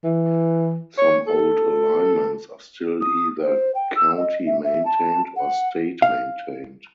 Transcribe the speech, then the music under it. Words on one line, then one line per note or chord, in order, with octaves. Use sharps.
Some old alignments are still either county-maintained or state-maintained.
E3
C#5
A4
D#6
C5
G5
E6
D#5
E5
E5
A5
F#5
F5